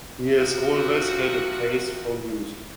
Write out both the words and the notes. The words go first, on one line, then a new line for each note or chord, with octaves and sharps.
He has always had a taste for music.
C3 F3 F#4